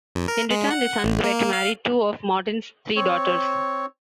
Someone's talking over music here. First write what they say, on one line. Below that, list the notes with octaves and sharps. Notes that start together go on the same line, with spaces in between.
In return their sons were to marry two of Morton's three daughters.
F2
A#4
G#3
F#5
A1
A#3
F5
C4 C#5